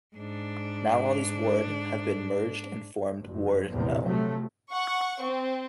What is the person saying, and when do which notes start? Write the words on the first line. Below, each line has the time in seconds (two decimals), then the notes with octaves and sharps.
Now all these ward have been merged and formed ward no.
0.16 G#2 D4
3.22 F#1
3.72 A#1 E2 A2 C3
4.04 C3 F3 F#3 A3
4.71 F#5 C#6
5.23 C4